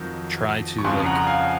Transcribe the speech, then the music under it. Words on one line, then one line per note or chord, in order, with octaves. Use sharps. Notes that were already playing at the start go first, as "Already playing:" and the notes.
try to, like,
Already playing: F2 D#3 F#3
C#6
F2 C#3 F3 G#5 C6
F#5 A#5
A#5
F5 G#5